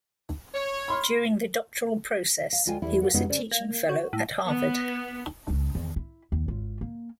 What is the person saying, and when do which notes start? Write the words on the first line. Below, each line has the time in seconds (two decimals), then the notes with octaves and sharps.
During the doctoral process, he was a teaching fellow at Harvard.
0.54 C#5
0.88 B5 C6 F6
2.53 F5
2.66 D2 G#3 F4 G5 G#5
2.82 E2 G3 E4
3.02 F#4 A#4 D5 F5
3.14 F#2 C#3 G3 G#3 B3 D#4
3.29 C#3 C#4 C5 D5
3.51 A#3
3.89 F#4
4.13 A2
4.49 B3
5.50 C#2
5.75 E2 D#3
5.96 E4
6.32 D#2
6.48 G#1 F4
6.81 A#3